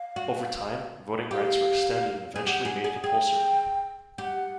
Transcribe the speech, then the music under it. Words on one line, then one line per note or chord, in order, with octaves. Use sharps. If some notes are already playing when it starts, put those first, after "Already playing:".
Over time, voting rights were extended and eventually made compulsory.
Already playing: F5
F#4
G4 F5
G#4
G4 F#5
G#4
G#4
G#4 G5
G4 F#5